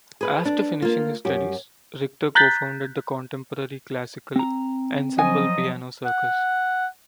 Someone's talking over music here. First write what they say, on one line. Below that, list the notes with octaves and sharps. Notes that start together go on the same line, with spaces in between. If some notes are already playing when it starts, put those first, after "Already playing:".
After finishing his studies, Richter co-founded the contemporary classical ensemble Piano Circus.
G#4 B4
D4
A#3 F4
F#2 G4
A#5 F#6 G6 A6 B6
C4 A#5
F3 F#3 D#5 G#5
F#5